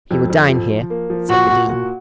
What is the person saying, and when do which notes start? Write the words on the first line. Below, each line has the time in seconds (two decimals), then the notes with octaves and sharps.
"He will dine here," said the Dean.
0.11 F2
0.30 F2
0.49 F3
0.70 F3
0.90 A#3
1.10 F3
1.29 A#2 F#4
1.50 A#2
1.69 F#4